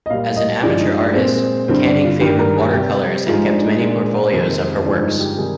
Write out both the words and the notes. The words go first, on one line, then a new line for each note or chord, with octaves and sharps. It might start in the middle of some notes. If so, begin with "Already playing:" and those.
As an amateur artist, Canning favoured watercolours and kept many portfolios of her works.
D#5
A#2 G3 F5
D#5
G2 F3 G#3 D5
D#4
D4
A#2 G#3 C4
G2 D3 G3 C4
D4
F4
G2 D#3 G3 G4
A#4
G#4
C3 G3 G4
G#2 F3 G#3 F4
D4
D#4
A#2 G#3 D4
F2 C3 D#3 G#3 C4
G2 D3 F3 G#3 D4
D#4
G4
C3 D#3 G3 G#4